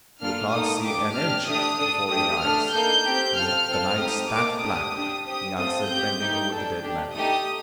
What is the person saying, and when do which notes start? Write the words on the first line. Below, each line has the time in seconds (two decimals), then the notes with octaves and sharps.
"You can't see an inch before your eyes--the night's that black," he answered, bending over the dead man.
0.21 A#3 D4 F4 A4 F6
0.53 A#3 D#4 A4 D#6
0.84 D4 G4 D6
1.16 D4 G4 F6
1.48 A3 D4 G4 D#6
1.79 D4 A4
2.10 A3 D4 G4 D#6
2.42 A3 D4 A4 F6
2.73 A#3 D#4 A4 G6
3.05 C4 G4
3.36 C4 F4 A4 F6
3.68 C4 F4 A4
3.99 C4 D#4 G4 D#6
4.31 A#3 D#4 A4 D6
4.63 D4 G4 D#6
4.94 D4 G4
5.26 C4 G4 D#6
5.57 A3 C4 F4 A4 D#6
5.89 C4 G4 G6
6.20 A3 D#4 G4
6.52 D4 A4
6.83 D4 G4
7.15 A3 D#4 G4 D#6